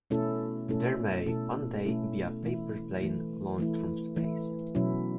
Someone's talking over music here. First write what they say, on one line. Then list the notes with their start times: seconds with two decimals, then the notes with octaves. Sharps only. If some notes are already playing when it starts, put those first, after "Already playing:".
There may one day be a paper plane launched from space.
0.10 B2 A3 C#4 E4 A4
0.68 B2 A3 C#4 E4 A4
1.26 B2 A3 C#4 E4 A4
1.85 B2 A3 C#4 E4 A4
2.43 E3 A3 E4
3.01 E3 A3 E4
3.58 E3 A3 E4
4.16 E3 A3 E4
4.75 B2 F#3 C#4 E4